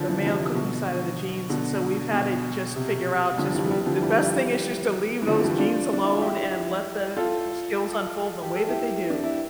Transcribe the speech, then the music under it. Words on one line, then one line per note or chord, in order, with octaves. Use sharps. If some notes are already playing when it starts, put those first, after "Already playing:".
the male cooking side of the genes, and so we've had to just figure out, just we the best thing is just to leave those genes alone and let the skills unfold in the way that they do.
Already playing: D3 F3
E3
D3
C3 E3
B2 D3
B2 D3
B2
C3
G3
D3 F3
E3 G3
E3 G3
G3
D3 F3
E3 G3
E3
D3 F3
F3
E3 G3
D4 F4
D4
E4
F4
E4 G4
F4 A4
G4
A4
E4 G4
D4
E4